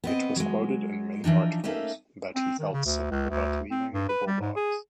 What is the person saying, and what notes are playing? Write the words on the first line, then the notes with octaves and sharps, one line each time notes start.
It was quoted in many articles that he "felt sick" about leaving the Bulldogs.
B3 C4 D#5
F#3 G#3
E3 F3 D4 D#4
A3 A#3 C#4 D#4 E5
C4
D#3
C#3
D2
C#2
D2
C4
G2
B4
G3
G#2
G#4